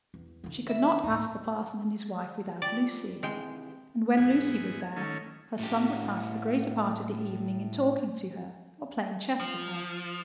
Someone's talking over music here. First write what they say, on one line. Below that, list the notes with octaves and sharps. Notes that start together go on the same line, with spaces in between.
She could not ask the parson and his wife without Lucy; and when Lucy was there, her son would pass the greater part of the evening in talking to her, or playing chess with her.
E2
D3 E3
E5
D#2 A2 D#4
F3 G3 G4 D5
C3 D#3 E3 G#3 G5
E2 G#2 B3 G#5
D#3 A3 C#4
A2 G4
F3